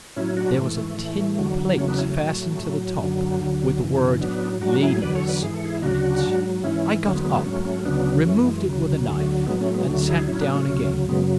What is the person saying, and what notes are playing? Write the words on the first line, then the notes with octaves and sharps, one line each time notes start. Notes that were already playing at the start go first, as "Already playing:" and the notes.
There was a tin plate fastened to the top, with the word "LADIES" on it. I got up, removed it with a knife, and sat down again.
A2 F#3 C#4 E4
D4 F#4
G#2 E3 A3
A3
A2 E3
E2 D3 F#3
E2 C#3 F#3 A3 C#4
B3 D4
C#4 E4
A3
A2 F#3
A2 F#3
F#2 D3 F#3
D2 D3 F#3
F#2 C#3 E3
A2 F#3 B3 D4
G#2 F#3 D4 F#4
E4 G#4
E2 D3 F#3 B4 D5
A4 C#5
B4 D5
G#2 E3 G#4
A4
E4 G#4
D2 C#3 F#3 D4 F#4
G#2 F#3
G#2 E3 C#4 E4
E2 D3 F#3 A3 C#4
G#3 B3
G#3 B3
G#3 B3
G#2 F#3 A3 C#4
A3 C#4
D2 C#3 F#3 B3 D4
F#2 E3 A3 C#4
G#3
D2 C#3 F#3
D2 D3 F#3 A3
A3
A2 F#3 G#3 B3
A3 C#4
G#3 B3
D2 D3 F#3 A3
E4 G#4
A2 F#3 C#4 E4
B3 D4
A3 C#4
D2 C#3 F#3
F#2 C#3 F#3 G#3 B3